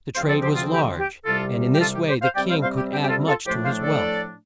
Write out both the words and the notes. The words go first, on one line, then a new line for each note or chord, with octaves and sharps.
The trade was large, and in this way the king could add much to his wealth.
D2 D3 F3 C4 C5 F5
A4 D5
G4 C5
F4
G4
G4
C2 C3 G3 F4 A4
G4
F4 A4
G4
G4 C5
C5 F5
C3 G3 C4 D5 G5
C5 F5
C5 F5
G4
G4
G4
F4 A4
F4 A4
A2 F3 A3 D4 G4 C5
C5 F5
A4 D5